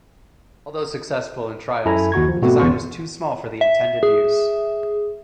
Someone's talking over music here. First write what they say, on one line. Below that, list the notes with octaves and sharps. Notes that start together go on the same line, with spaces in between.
Although successful in trials the design was too small for the intended use.
F#2 E4 A4 G#5 A#5
D#2 F#4 C#6 G#6
F3
G#2 B2 A3 C4 F#4
G1 E2 B3 C6 C#6
E5
G#4